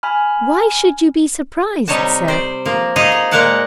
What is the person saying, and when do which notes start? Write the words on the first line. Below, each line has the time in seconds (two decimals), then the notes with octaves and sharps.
"Why should you be surprised, sir?"
0.03 G#5 B5 F6
1.88 C3 G3 D#4 C#5 D#5 A5
2.28 C5 D5
2.65 F3 A#3
2.96 D#4 F4 G#4 C5 D#5 F5
3.12 D#5
3.31 A#2 G#3 A#3 A#4 F#5 A5